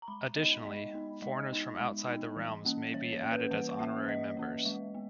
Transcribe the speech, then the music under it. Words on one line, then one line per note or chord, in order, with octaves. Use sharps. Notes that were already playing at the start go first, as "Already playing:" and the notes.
Additionally, foreigners from outside the realms may be added as honorary members.
A#5
G#3 B5
B3 D#4 D#5
G#3 D#5
B3 D#4
G#3 D#5
B3 D#4
G#3
B3 D#4
E3
A#3 C#4
E3 C#5
C#5
A#3 C#4
B4
E3 F#5
A#3 C#4 E5
E3 D#5
A#3 C#4
G#3
B3